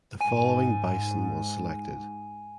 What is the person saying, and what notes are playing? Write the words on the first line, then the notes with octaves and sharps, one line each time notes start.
The following Bison was selected.
G#2 G#5 D#7